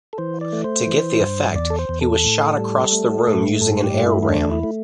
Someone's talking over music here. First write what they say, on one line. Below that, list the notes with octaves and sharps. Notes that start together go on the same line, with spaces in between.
To get the effect, he was shot across the room using an air ram.
A4
E3 C5
D5
A3
C5
E3
G2
E2 D5
A4
C5
E2
A4
A2
G3
A3
A2
G2 A4
G4
A3
E4
E4
E2 D4
E4
A3